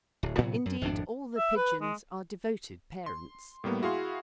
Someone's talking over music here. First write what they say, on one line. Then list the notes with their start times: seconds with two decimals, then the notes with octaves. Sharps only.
Indeed, all the pigeons are devoted parents.
0.23 D1
0.38 A2 C3 F#3 B3
0.66 F#2
0.81 G#1 F2 A2 D4
1.37 E5
1.56 B4
1.81 G#3
3.06 C6
3.64 A2 G3 A#3 B3
3.82 E4 F#4 G#4 F5 C6